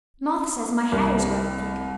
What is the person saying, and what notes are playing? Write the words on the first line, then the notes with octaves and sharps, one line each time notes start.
Martha says my hair is growing thicker.
C2